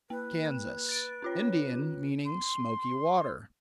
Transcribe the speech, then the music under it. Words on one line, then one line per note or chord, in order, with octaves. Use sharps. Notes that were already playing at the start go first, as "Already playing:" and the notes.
Kansas--Indian; meaning "smoky water."
A#3 B4
A6 D7
C#4 F4 C#5
C6